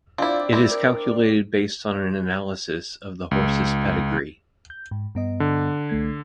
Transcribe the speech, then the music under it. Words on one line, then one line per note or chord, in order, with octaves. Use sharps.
It is calculated based on an analysis of the horse's pedigree.
C4 D4 E4 F4 D5
C#2 C4 E4
A#4
C#2
G6
G#2
G2 B3 D#5
D3
C2 A3 G#6